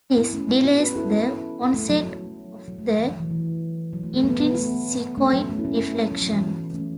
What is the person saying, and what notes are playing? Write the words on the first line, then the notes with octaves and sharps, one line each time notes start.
This delays the onset of the intrinsicoid deflection.
B3 E4
A3 C#4
B3 E4
C#4 F#4
F#4 B4
E4 A4
A3
F#3
F#3
A3
A3
E3
F#3
E3
E3
F#3
A3
A3
F#3 B3
F#3 B3
A3
A3 C#4
F#3
A3
E4
A3 C#4
A3
F#3
F#3
E3
E3
A3 C#4